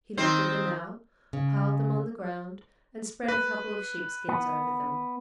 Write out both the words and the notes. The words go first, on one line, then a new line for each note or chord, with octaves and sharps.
He lifted them out, piled them on the ground and spread a couple of sheepskins over them.
D#3 C4 C5
C#3
B4
B3